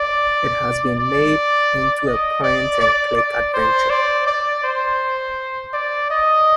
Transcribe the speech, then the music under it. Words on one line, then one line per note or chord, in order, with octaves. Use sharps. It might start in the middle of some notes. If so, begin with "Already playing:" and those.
It has been made into a point-and-click adventure.
Already playing: D5
D5
D#5
D5
D5
D5
C5
D5
D5
C5
D5
D#5